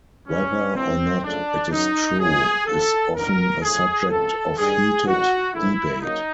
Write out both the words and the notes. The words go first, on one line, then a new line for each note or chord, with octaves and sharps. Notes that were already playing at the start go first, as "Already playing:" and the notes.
Whether or not it is true is often a subject of heated debate.
G1 F#2 C#3 E3 G3 C#4
A#1 A2 E3 C4
F#2 C#3 F3 A3 D4
F#2 C#3 F#3 D#4
C#2 C3 D#3 F#3 A#3 G#4
D#2 D3 F3 A4
A1 G2 D#3 A#4
B1 A2 F3 A3 G#4
C#2 C3 F3 A4
G2 D#3 G3 G#4
A1 G#2 D#3 F#4
A#1 G#2 E3 A3 E4
C#3 F#3 A#3 D#4